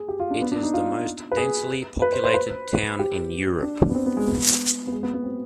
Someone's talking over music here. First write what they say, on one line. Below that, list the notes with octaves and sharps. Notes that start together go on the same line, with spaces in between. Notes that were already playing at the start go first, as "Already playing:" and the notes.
It is the most densely populated town in Europe.
Already playing: G#4
G4
F4
D4
B3
D4
D#4
F4
B4
G#4
B4
C5
C5
B4
G4
D4
B3
C4
B3
G#3
B3
B3
G#3
B3
B3
C4